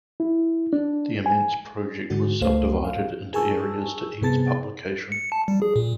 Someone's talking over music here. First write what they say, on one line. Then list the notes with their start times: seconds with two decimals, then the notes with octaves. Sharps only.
The immense project was sub-divided into areas to ease publication.
0.20 E4
0.73 D4
1.26 G#5
2.10 G#2 D3 G#3 D4 F#4
2.41 C#2 A3 C5 F5
2.84 F5
3.34 G#4 A#4 G#5 A5 C#6 E6
4.21 G2 C3 B3 G#4 A5 A6
5.12 C#7
5.32 A5
5.48 G3
5.62 G#4
5.76 A#2